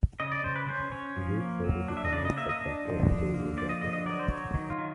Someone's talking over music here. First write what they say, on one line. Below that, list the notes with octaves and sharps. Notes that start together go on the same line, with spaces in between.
Gates later became a successful interior decorator.
C#3 D#5
D5
C#3 C5
B4
C#4 C5
C#4 C#5
F3
A#3
F#3
D4
E5
D#5
C#3 D5
D#5
A#3 E5
D#5
D4
F3
D3
A#3
F3 D5
D#5
D3 D#5
D#5
F#3 D5
C5
F#3 C#5
D#3
F4
D#3